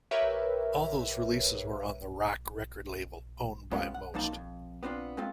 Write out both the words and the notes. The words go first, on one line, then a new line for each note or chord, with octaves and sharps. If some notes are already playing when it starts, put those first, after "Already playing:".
All those releases were on the Rak record label, owned by Most.
G4 A#4 B4 C#5 E5
G#3 A3 B3 C#4 F4 G4
F#5
F#2 F3 A#3 D#4 A5
F2
B3 C4 D4 F4
G#3 A3 C4 F4 A4